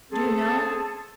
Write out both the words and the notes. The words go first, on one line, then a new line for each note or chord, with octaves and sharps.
Do you know?
C4 G#4 A4